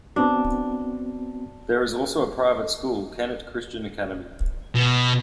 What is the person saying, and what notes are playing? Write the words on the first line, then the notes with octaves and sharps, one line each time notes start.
There is also a private school, Kennett Christian Academy.
B3 C4 D4 F#4
B2